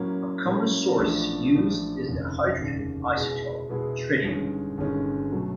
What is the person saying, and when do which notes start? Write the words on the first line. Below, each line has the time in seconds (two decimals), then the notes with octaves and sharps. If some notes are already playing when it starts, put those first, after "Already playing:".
A common source used is the hydrogen isotope, tritium.
Already playing: A2 F#3 A#3 C#4
0.45 A2 F#3 A#3 C#4
0.99 A1 A2 F3 A3 D4
1.53 A1 A2 F3 A3 D4
2.08 F1 D#2 C#3
2.61 F1 D#2 C#3
3.16 B2 G#3 B3 E4 G#4
3.69 B2 G#3 B3 E4 G#4
4.24 G1 G2 D#3 G#3 C#4
4.78 G1 G2 D#3 G#3 C#4
5.32 B2 F#3 A3